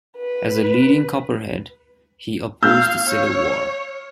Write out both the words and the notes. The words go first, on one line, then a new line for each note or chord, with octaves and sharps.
As a leading Copperhead he opposed the Civil War.
B4
F5 E6 F6 G6
C#5